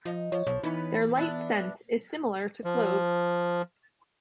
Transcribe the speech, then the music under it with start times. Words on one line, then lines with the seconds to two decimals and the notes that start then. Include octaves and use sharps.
Their light scent is similar to cloves.
0.06 F3 D#4
0.32 F3 C#5
0.47 B1 F3 C#5
0.63 E3 B3 C#4 D#4 B4
1.17 B3 D4 E5
2.64 F3